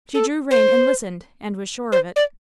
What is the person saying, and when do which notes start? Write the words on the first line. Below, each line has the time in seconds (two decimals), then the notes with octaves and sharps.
She drew rein and listened, and was sure of it.
0.14 A4
0.51 C5
1.92 C5
2.16 D5